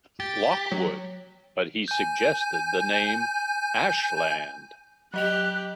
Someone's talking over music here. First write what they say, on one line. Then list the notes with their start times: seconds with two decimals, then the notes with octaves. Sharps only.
Lockwood, but he suggested the name "Ashland".
0.20 G4 A6
0.71 F#3
1.88 G#5 G6
5.14 F#3 G4 D#5 F#6 F7